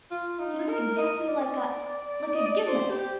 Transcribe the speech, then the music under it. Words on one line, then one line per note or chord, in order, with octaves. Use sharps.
"She looks exactly like a--like a gimlet."
F4
D#4
A#4
D#5
D5
D#5
D5
C5
G4